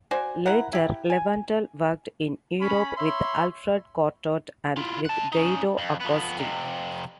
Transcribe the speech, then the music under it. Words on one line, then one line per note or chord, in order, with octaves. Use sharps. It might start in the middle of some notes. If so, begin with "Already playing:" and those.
Later Lewenthal worked in Europe with Alfred Cortot and with Guido Agosti.
F#4 C5 D5 G#5
E4 A#4 F#5
E4 G4
G#5
C#4 B5
C#5 E5 B5 C6
E4 F4
F#5 A5
C#4 D#4
F2
F2 B3
F2 C3